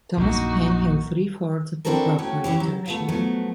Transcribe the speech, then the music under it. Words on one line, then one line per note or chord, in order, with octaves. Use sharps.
Thomas Penn held three-fourths of the proprietorship.
A#1 F#2 A#2 D#4 F#4
C4 D4 E4 F#4 A4 A#4
A3 C#4 F#4 C#5 G5
E3 C#4 E4 G4
F#3
A3 B3 F4
F3 F#3 A3 B3